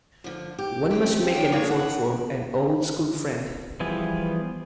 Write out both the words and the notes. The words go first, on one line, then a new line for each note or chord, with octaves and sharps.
One must make an effort for an old school friend.
D3 F3
G4
C4 C#4 G4
D#3 B3 C#4 G5
D#3 A#3 D4 G#4 C#5 D5
F#5
E3 F3 G3 B3 G#4